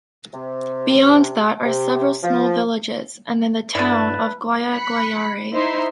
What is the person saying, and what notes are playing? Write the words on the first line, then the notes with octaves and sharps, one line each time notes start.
Beyond that are several small villages and then the town of Guayaguayare.
C3
C3
F3
G2 D3 E4 B4 D5
B5 F#6 B6 C#7
D#4 E4 C5 E5 C6